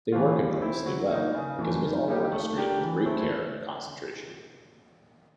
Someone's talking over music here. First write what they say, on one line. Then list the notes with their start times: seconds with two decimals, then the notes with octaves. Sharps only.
They work enormously well, because it was all orchestrated with great care and concentration.
0.12 E3 A3 C4 F4
0.36 G3
0.61 C4 E4
0.86 F#3
1.10 A#3 D#4
1.35 C#3
1.59 E3 A3
1.84 D#3
2.08 G3 A#3 D#4 G4
2.32 A3
2.57 D4 G4 A#4
2.81 E3
3.06 A3 C4 E4